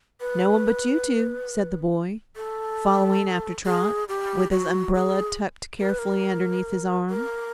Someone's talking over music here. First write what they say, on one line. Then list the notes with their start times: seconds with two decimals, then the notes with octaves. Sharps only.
"No one but you two," said the boy, following after Trot, with his umbrella tucked carefully underneath his arm.
0.21 B4
2.36 A4
3.66 G#4
4.09 G4
4.51 F#4
4.95 G#4
5.80 A#4
5.90 B4
5.99 A#4
7.10 A#4